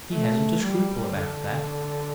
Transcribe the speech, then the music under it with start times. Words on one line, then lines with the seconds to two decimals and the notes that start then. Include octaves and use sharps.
He hasn't a scruple about that.
0.10 A3
0.61 G3
1.11 D3